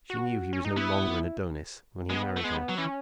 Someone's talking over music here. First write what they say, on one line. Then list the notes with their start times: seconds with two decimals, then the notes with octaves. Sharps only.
"She knew he was no longer an Adonis when he married her."
0.10 F#4
0.53 C#4
0.65 D#4
0.77 B3 E4
2.10 G#3 B3
2.37 A3
2.44 G#3 B3
2.69 F#3
2.78 E3 C#4